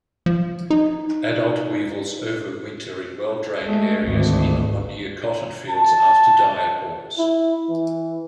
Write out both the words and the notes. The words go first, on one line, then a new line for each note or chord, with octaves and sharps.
Adult weevils overwinter in well-drained areas in or near cotton fields after diapause.
F3
D#4
G#3 A3
G#1 D2
A5
E4
E3